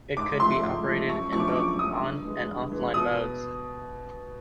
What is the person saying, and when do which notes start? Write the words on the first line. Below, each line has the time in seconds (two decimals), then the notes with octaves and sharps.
It could be operated in both on- and off-line modes.
0.17 G#2 D6
0.40 F3 A3 C6
0.63 G#2
0.86 F3 A3
1.09 F#2 C#6
1.32 D3 F3 A3 C#6
1.40 D6
1.48 C#6
1.56 F#2 D6
1.79 D3 F3 A3 D#6
2.02 G2
2.25 E3 G#3
2.49 G2
2.72 E3 G#3
2.94 B2 D#6